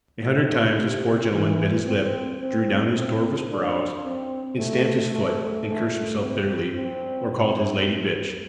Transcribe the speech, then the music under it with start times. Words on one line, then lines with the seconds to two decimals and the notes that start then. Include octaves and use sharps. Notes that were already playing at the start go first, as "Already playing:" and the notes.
A hundred times this poor gentleman bit his lip, drew down his torvous brows, and stamped his foot, and cursed himself bitterly, or called his lady bitch.
0.23 A2
0.77 C3
1.32 E3
1.86 C4
2.40 C4
2.95 C4
3.49 D4
4.04 C4
4.58 A3
5.12 A3
5.67 A3
6.21 C4
6.75 C4